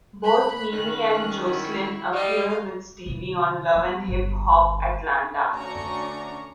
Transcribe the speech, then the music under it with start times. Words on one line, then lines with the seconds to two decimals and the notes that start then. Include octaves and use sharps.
Both Mimi and Joseline appear with Stevie on "Love and Hip Hop: Atlanta".
0.24 B5 F#6
0.72 D#3 C#4 F#6
1.42 E4 F#4
2.13 G3 D#5 F5
3.06 B2 D3
3.75 E3 B3
4.08 G1 D3
5.52 D2 C#4 D4 A#5 C#6